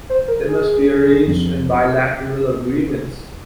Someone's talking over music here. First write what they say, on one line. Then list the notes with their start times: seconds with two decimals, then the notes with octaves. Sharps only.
They must instead be arranged in bilateral agreements.
0.10 C5
0.28 A#4
0.48 G#4
1.25 F2 F3 C4